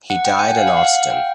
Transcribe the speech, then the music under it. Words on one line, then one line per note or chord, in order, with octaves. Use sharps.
He died in Austin.
F#5
G5
G#5
F#5
F5
F#5
F5
F#5
F5
G5